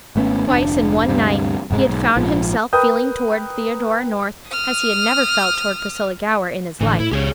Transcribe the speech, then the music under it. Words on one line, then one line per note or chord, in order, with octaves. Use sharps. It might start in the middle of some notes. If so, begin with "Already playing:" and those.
Twice, in one night, he had found himself feeling toward Theodora North as he had never felt toward Priscilla Gower in his life.
G#1 A3 B3 C#4
F1 D2 D4
D2 G2 C3
F1 G#2 G#3
B1 G#2
A#1 G#2 F3
A#4 B4 G5 D#6 G6
D#6 F6
A1 A2 D3 E3
A2 E4
C#2 G4 G#4 C#5